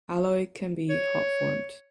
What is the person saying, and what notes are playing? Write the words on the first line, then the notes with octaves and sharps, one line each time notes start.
Alloy can be hot formed.
C#5